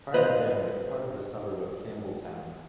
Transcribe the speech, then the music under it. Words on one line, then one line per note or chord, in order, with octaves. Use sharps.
Prior to then it was part of the suburb of Campbelltown.
B4 C5 D#5 F5